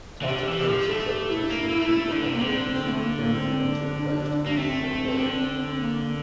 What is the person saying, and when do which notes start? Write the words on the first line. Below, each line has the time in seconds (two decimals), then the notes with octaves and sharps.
Tartakower's interpretation and treatment of the opening generally led to a closed, manoeuvring game.
0.22 E3
0.27 D3 G4
0.48 E3
0.58 G4
0.69 F3
0.85 G3
0.88 A3 A4
1.10 G4
1.30 E4
1.50 A#3
1.69 A#3
1.80 A3
2.12 D3 D4
2.26 C3
2.33 A#3
2.39 D3 C4
2.73 C4
2.88 A3
3.04 A#3
3.19 A#3
3.34 C4
3.65 D4
4.46 A#3
4.57 A3 C4
5.18 D3
5.80 A#3